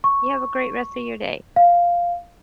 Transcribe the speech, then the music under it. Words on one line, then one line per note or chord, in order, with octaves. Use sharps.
you have a great rest of your day.
C#6
F5